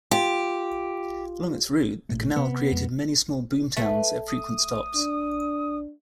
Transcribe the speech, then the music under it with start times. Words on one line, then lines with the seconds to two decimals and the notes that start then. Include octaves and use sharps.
Along its route, the canal created many small boomtowns at frequent stops.
0.11 F4 G4
2.09 A1 A#2 A3
2.36 C3 B3
2.72 F2 G#3
3.77 A3 B4
4.27 D#6
4.95 D4